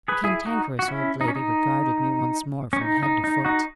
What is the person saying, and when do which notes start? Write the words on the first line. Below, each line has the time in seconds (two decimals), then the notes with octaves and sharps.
The Cantankerous Old Lady regarded me once more from head to foot.
0.08 G#4 B4
0.24 E4 G#4
0.46 D#4 F#4
0.79 F#4
0.88 C#4 E4
1.21 D#4
1.28 C#4
1.35 D#4
2.73 C#4
2.81 D#4
3.03 D#4
3.24 D#4
3.45 D#4 F#4